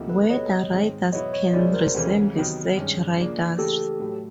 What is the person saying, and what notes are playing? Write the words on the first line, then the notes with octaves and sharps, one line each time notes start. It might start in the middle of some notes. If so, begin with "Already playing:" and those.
Weather radars can resemble search radars.
Already playing: D2 C3 F3 A#3 D#4
A4 B4
B2 G3 B3 C#5 D#5
G#2 D#3 G#3 C4
E2 B2 F#3 B3 E4 C#5 D#5
C#5 D#5
C#2 B2 G#3 C#4 E4 C5 D5
A#4 C5
D2 C3 E3 G#3 C#4
C3 D#3 F#3 B3 D#4
G2 D#3 G#3 C#4
C#3 F3 A#3 D4
C#3 E3 A3 G4 A4
A2 F#3 A3